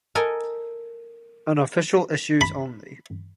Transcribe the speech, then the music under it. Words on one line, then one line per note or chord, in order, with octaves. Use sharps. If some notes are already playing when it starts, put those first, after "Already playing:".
Unofficial issues only.
A4 A#4 D#5 G#5
B5